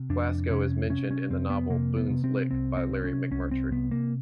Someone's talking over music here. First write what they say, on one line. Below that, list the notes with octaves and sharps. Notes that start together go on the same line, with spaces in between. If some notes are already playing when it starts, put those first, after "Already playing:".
Glasgow is mentioned in the novel "Boone's Lick" by Larry McMurtry.
Already playing: C3
F2 D4
C3 C#4
C3 C#4
C#4
F2 C4
B3
C3 A#3
B3
C3
C4
C2 C4
C4
C3
C#4
C2 C#4
C4
C3 B3
A#3